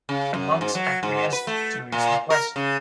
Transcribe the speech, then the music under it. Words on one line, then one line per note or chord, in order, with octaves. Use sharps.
The monks acquiesced to his request.
C#3
F#2
G#2
F#3
G#2
B4
A3
A#2
A#4
C#3